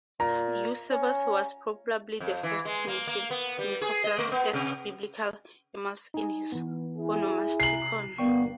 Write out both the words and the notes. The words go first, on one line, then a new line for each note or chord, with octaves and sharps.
Eusebius was probably the first to mention Nicopolis as biblical Emmaus in his Onomasticon.
A#2 A#5
C#4
F2
E3
G#3
A#3
A#3
B3
G3
G#4
D#5
A3
B3
C3
D#4 G#5
E3 B3
E4 G#4
C3 A#5 C7 F#7
G1 G3 A#3 B3 D5 G5 C#6